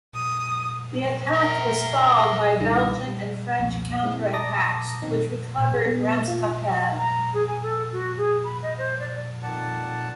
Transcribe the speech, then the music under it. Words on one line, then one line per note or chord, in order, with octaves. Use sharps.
The attack was stalled by Belgian and French counter-attacks which recovered Ramskapelle.
D#6
A#4 C#5 E5
A#4
C2 D3 D#3 G3 E4 A#6
G3
C2 F2
G#3 C4 E4
A5 A#5 D6 D#6 A#6
B2 D#3 C4 D#4
A#2
G#4
B3
F4
A#5
G#4
G#5
A4
F#4
G#4
B5
D#5
C5
D5
F2 A#2 D#3 D5 F#5 A5